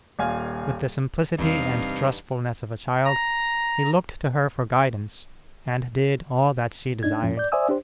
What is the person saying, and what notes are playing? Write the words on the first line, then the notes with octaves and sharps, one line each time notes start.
With the simplicity and trustfulness of a child, he looked to her for guidance, and did all that she desired.
D#1 A#2 F5 G#5
E2 G2 C3 G3 C4 D#4 F5
A#5
A2 D4 D#4 G#6
F2 G#2 F3 C#4
D5 G6
C5 D5 E5 G#5 D#6 E6
D4 G4 C5